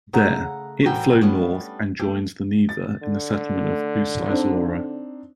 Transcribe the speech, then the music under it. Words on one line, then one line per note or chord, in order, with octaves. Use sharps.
There, it flow north and joins the Neva in the settlement of Ust-Izhora.
C#3 A3 F#5 A#5
A2 E3 G3 F#4 A#4 G5
G3 A3 B3 C#4 D4
A3 G4
A6
D3
A3
C4 D4 D#4